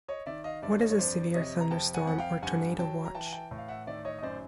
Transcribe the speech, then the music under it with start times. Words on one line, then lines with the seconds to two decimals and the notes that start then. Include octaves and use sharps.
What is a Severe Thunderstorm or Tornado Watch?
0.08 C#5 D#5
0.26 D#3 D5 E5
0.44 D#5 F5
0.63 G2 D5 E5
0.80 C#5 D#5
0.90 C#5
0.98 F2 C5 D5
1.34 C3 C#5 D#5
1.61 A#5
1.71 F2 G5 A5
1.94 F#5 G#5
2.06 F2 F#5
2.18 F5 G5
2.42 G2 F#5 G#5
2.79 F#3 G5 A5
3.06 A#5
3.15 E3 G5 A5
3.27 G#5
3.33 G5 A5
3.51 A2
3.58 F5
3.68 E5 F#5
3.87 D#3 D5 E5
4.05 C#5 D#5
4.18 D#5
4.23 F#2 C5 D5